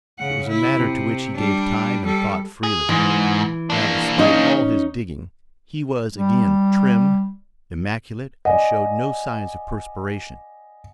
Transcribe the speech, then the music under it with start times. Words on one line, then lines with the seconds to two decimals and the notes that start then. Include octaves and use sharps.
It was a matter to which he gave time and thought freely. Now, despite all his digging, he was again trim, immaculate, and showed no signs of perspiration.
0.19 C#3 F#5
0.48 E4
0.77 C3
1.36 G3 D4
2.05 G3 A4
2.63 G#4
2.89 G#2 E3
3.70 A#3 D4
4.19 C#4 D#4
6.15 G3
8.45 D5 D#5 F#5 G#5